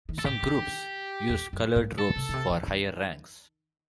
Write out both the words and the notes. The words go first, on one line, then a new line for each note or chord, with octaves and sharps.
Some groups use colored robes for higher ranks.
D#3
A4
A2 G4
D#3
E2
F#2
A2
A4
C3
B2
C3
E3
D#3